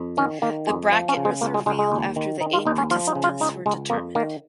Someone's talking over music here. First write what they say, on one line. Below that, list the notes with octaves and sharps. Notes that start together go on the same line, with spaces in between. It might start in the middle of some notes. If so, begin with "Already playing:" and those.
The bracket was revealed after the eight participants were determined.
Already playing: F2
D#3 C#4
D#3 A#3
F2 G#3
F3
C#4
C#3
G#3
C#2 A#3
G#3
C#2 G#3
G#3
D#2
D#3
D#3 D#4
F4
D#2 D#4
C#4
F3 F4
D#4
C#3
F4
C#2 D#4
C#2 G#3
F2 A#3
D#3 A#3